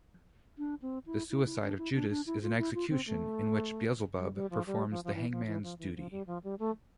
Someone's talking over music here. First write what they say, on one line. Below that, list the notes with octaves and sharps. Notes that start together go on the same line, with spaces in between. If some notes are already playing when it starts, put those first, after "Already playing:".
The suicide of Judas is an execution, in which Beelzebub performs the hangman's duty.
D4
C4
E4
E4
E4
D4
E4
D4
D4
E4
F4
E4
F4
C4
A3
G3
G3
F3
G3
F3
F3
E3
F3
E3
F3
E3
F3
G3
F3
G3
A3